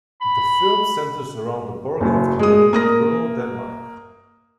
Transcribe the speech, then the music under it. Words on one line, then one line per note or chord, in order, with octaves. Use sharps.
The film centers around the Borgen family in rural Denmark.
B5
F#1 F#2
G#3 D#6
A#3 D#6 A#6